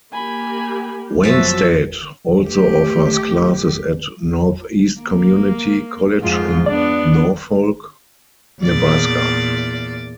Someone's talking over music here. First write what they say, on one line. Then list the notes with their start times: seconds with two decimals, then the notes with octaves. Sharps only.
Wayne State also offers classes at Northeast Community College in Norfolk, Nebraska.
0.13 A#3 G4 G#5 B5
1.24 F#2 F3 F#4 E5 A6 B6
2.46 A3 G4
5.01 A#3
6.20 F2 G#2 F4
6.66 B3 D4 D5
8.62 E2 A#2 D5